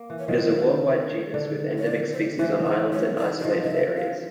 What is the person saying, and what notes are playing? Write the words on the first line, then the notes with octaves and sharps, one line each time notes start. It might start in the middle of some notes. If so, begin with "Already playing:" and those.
It is a worldwide genus with endemic species on islands and isolated areas.
Already playing: A#3
E3
C#5
D#3 C5
D3
C#5
D5
C5
E3 C5
C5
C#5
D5
D5
F3 D#5
D#5
E5
F5